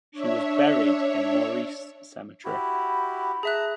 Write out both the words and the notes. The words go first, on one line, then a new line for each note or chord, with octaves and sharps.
She was buried in Maurice Cemetery.
D4 C#5 E5
E4 F#4 G4 B5
G#4 E5 A5 A#5 F#6